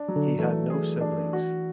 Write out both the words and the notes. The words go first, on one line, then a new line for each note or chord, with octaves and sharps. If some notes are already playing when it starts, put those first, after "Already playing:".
He had no siblings.
Already playing: D4
F#3
D3
E3 A3
G#4
D4
F#4